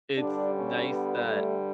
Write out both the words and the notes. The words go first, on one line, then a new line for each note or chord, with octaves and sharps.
it's nice that
G2 D3 G3 D4
C#4
B3
A3